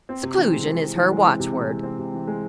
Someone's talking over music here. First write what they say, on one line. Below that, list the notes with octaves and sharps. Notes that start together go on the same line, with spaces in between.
Seclusion is her watchword.
C4
C3
E3
G#3
C4
C3
E3
G#3
C4
C3
E3
G#3
C4
C3
E3
G#3